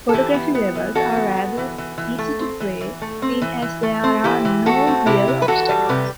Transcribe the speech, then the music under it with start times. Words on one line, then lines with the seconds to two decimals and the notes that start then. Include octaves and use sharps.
Photography levels are rather easy to play, seeing as there are no real obstacles.
0.09 A4
0.13 E3 E4 G4
0.34 B3
0.55 B3
0.75 E3
0.95 E3 F#4 A4
1.17 B3
1.36 B3
1.57 E3
1.78 E3
1.98 E3
2.19 A3
2.39 C4
2.60 E3
2.81 E3
3.02 A3
3.22 C4
3.42 E3
3.62 E3
3.83 A3
4.04 C4
4.24 E3 E4 G4
4.45 E3
4.66 A3 F#4 A4
4.87 C4
5.06 C3 E4 G4
5.28 C3
5.42 B4
5.48 E3 F#4 A4
5.69 G3
5.89 C3 G4 B4